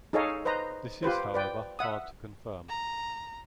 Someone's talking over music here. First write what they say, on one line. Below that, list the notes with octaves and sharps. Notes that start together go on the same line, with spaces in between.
This is however hard to confirm.
D#4 G#4 A4 C#5 D#5 F5
B4 C5 D#5 A#5
F4 G4 B4 C5
B4 D5 G5
E5 F#5 D#6
A#5